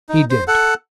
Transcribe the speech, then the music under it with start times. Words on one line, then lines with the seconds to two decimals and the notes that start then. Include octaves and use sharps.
"He did."
0.09 D#4
0.30 C5
0.48 A4 F#5